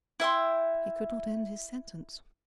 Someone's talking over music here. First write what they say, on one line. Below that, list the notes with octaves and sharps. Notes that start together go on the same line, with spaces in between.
He could not end his sentence.
E4 E5 G5 C6